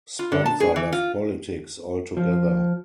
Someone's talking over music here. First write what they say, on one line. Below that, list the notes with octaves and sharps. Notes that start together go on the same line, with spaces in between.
Spencer left politics altogether.
F4
D3
A5
G#4
E3
F4
F3